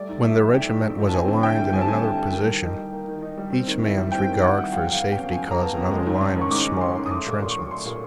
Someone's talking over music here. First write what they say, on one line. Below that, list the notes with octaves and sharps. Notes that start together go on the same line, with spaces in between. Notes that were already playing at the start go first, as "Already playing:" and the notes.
When the regiment was aligned in another position each man's regard for his safety caused another line of small intrenchments.
Already playing: G3 A3 D5
G#2
G#2 E5
F3
A3 G5
G#2
G#2
F3
A5
C4 G#5
D3
E4 G5
G3
C4 G#5
A5
D3 G#5
E4 A5
G3
A#3 G5
D#3
D#4
G3
A#3
D#3
D#4
G3
C4
D#3
E4
G3
C4 G5
D#3
E4 F#5
G3
F#3 F5
F2
F5
B3
C#3 G5
F#3 G#5
F2 A#5
B3 A5
C#3
G#3
G#2
C#4
D#3 C#6
G#3 D6
G#2
C#4 C6
D#3
D#6
A3 D6
A#2 D6
A#2 C6
C#6
F#3
A3 C6
A#2